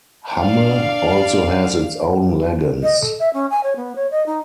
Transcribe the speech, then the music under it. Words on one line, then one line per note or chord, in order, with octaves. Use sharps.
Hamme also has its own legends.
D4 D5 F5
D#5
A4
E5
C#4
G#5
C#5
B3
C#5
D#5
D#4